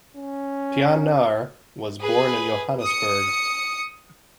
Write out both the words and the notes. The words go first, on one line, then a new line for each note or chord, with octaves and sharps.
Pienaar was born in Johannesburg.
C#4
G#4 B4
D#6 C#7